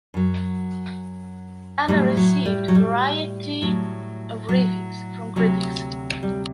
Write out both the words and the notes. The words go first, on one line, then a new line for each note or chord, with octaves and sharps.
Anna received a variety of reviews from critics.
F#2 F#3
A2 F#3 G3
F#3
G3
F#3
G3
A2 F#3
F#3
D2 C3 F#3
G3